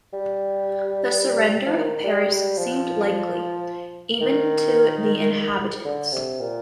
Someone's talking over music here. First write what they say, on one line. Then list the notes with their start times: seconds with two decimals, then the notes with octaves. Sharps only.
The surrender of Paris seemed likely, even to the inhabitants.
0.13 G3
1.66 F3
1.77 D#3
2.03 G3
2.31 G3
2.58 F3
4.21 D#3
5.85 D3
6.12 C3
6.40 A#2